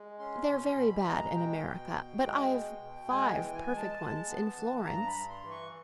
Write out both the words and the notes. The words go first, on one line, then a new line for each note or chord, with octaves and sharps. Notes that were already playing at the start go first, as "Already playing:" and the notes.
"They're very bad in America, but I've five perfect ones in Florence."
Already playing: G#3
C#4 C6
B2 C6
C6
B2 B5
G#3 A#5
B2 G5
B2
B2
G#3
B2
B2
G#3 G#5
G5
E3
G#5
G#3
A5
G#3
B3
E3
G2 A#5
B5
G2
C6
E3
C#6